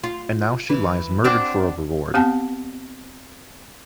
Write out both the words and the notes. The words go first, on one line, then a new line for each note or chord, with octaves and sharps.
And now she lies murdered for a reward!
F4
E3
C4 D4 F#4
B3 C4 G4 F#5 G#5 A5